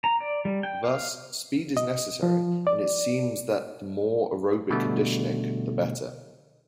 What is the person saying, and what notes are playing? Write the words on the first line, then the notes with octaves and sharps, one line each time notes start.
Thus, speed is necessary, and it seems that the more aerobic conditioning, the better.
A#5
D5
G3
G5
F5
D#5
F3
D5
B2 D3 G3 A3